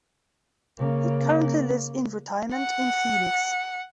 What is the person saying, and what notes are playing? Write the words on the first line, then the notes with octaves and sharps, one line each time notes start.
He currently lives in retirement in Phoenix.
C#3 A#3
F#5